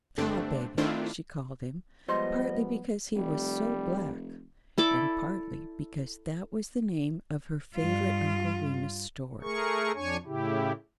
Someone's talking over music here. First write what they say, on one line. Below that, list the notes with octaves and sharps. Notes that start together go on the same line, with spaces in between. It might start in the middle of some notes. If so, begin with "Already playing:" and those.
"Tarbaby" she called him, partly because he was so black, and partly because that was the name of her favourite Uncle Remus story.
G2 D3 A3 C4 D4
D#3 A3 C4 D4 E4 F4
F3 G3 G#3 B3 C5 D#5
F1 G3
E4 A4 D5 D6
G2 F4
A3 G#4 A#4 C#6
F2 D4 C#5 G#5 C#6
A2 C#3 E4 G4